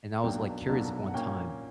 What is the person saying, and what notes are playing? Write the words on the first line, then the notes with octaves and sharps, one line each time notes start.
and, I was, like, curious one time,
B1 B2 F#3 A#3 D4 G5
B1 B2 F#3 A#3 D4
F#5
A#2 A#3 C#4 G5